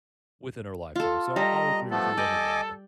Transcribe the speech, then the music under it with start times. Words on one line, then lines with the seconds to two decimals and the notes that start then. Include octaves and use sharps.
within our lifetime. So, I'll I'll agree with you on the water.
0.96 F4 A4
1.36 G3 D#5 A#5
1.91 F3 A3 B3 A4
2.17 D5 D#5 G5 G#5 D6